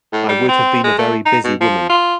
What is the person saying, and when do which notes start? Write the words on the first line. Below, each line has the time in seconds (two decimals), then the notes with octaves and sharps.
I would have been a very busy woman.
0.13 A2
0.28 G3
0.48 C4
0.84 G#3
0.98 A3
1.26 D#4
1.44 B2
1.60 F3
1.89 F4